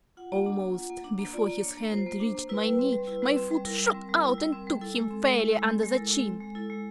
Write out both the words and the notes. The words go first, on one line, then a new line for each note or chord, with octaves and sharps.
Almost before his hand reached my knee, my foot shot out and took him fairly under the chin.
F4 F#5
A#3
D4
A#3
F4
A#3
D4
A#3
F4 D5
A#3
D4 C#5
A#3
F4 C5
A#3
D4
A#3
E4 B4
G3
C4
G3
E4
G3
C4
G3
E4 A#4
G3
C4
G3
E4
G3
C4
G3
E4 A4
G#3
C4
G#3
E4
G#3
C4
G#3
A#4
E4 A4
G#3
C4
G#3
E4 A4
G#3